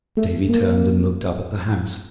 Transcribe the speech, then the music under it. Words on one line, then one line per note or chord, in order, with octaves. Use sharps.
Davy turned and looked up at the house.
A3
A#3